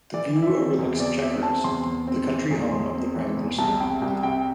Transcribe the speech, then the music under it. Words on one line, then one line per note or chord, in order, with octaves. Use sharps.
The view overlooks Chequers, the country home of the Prime Minister.
E3 D5
E3
E5
C4
E2
E2 D5
C4 E5
C4 A5
E2 C6
E2
C4
E3
E2
E2 C6
C4
E3
E2
C2 A5
C3 G5
C2 G5
C3 G5